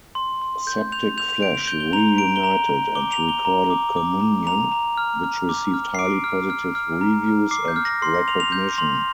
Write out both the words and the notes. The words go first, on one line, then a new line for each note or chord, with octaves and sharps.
Septic Flesh reunited and recorded Communion, which received highly positive reviews and recognition.
C6
C6
G6
G6 F7
G6 F7
F7
G6 D7
F7
G6 G7
G7
A#5 F7
A#5 D7
G7
A#5 F7
A#5
D6 G7
F7
A#5
G7
A#5
D6
D6
A#5
A#5 F7
A#5
F6
F6
D6
F6
C7
D6 D7
F6
F6
F6
A#5
F6
D6 C7
G6
F6
A#6
C6 C7
A#6
C6 F7
F7
G6 F7
C6 F7